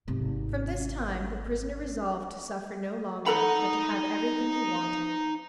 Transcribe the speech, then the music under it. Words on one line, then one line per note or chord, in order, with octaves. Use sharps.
From this time the prisoner resolved to suffer no longer, but to have everything he wanted.
G#1 C3
D#4 A4 F#5 A#5 B5